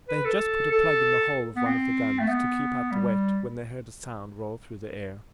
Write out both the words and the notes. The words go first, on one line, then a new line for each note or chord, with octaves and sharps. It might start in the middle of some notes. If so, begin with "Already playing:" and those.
They had just put a plug in the hole of one of the guns, to keep out the wet, when they heard a sound roll through the air.
B4
A4
A4
B3
C4
A3
B3
G3